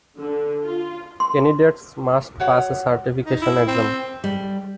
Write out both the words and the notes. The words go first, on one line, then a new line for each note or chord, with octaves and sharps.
Candidates must pass a certification exam.
D3
F4
C6
F#4 C#5 F#5
D#4
E4
C4
G3